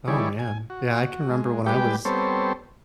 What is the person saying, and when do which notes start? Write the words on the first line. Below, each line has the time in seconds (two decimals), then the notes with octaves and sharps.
Oh, man. Yeah, I can remember when I was,
0.08 D#3 G3 E4 G#4 C#5 D5
0.39 G#5
0.70 F#4
1.30 G#3
1.66 G3 G#3 G4 B4 G5 D6
2.05 G3 B3 C4 A4 C5 C#5